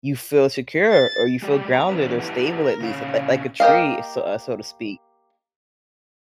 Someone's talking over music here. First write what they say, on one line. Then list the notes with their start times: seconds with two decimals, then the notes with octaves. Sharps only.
you feel secure, or you feel grounded, or stable at least, li like a tree, so uh, so to speak,
0.92 A6
1.42 G#3 G4 D5
1.73 A#5
1.90 E2 A#2 C#4 B4
2.19 E4 G4 A4 B4 F#5
2.64 A#4
2.81 A#2 C#3 C#4 C#5 F5
3.60 A#3 G4 D#5 F5